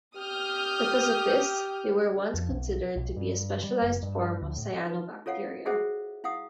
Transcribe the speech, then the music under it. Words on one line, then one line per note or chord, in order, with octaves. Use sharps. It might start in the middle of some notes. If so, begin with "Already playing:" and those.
Because of this, they were once considered to be a specialized form of cyanobacteria.
G4 D#6 F6 G6
F2
B1
B1
G2
G3
F#1
G2
D2
A2
D#4 B4
F4 A4 C#5 F5 F#5
F#4 G#4 A4 C5 E5 F#5
E4 F5 F#5 D#6